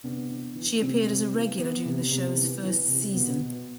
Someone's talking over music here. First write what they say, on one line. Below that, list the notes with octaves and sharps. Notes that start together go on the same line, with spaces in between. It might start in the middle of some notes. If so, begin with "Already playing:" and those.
She appeared as a regular during the shows first season.
C3 B3 D4
E3
E3
C3 C4
C3
E3
E3 B3
C3
C3
E3
E3
C3
B2 B3
B2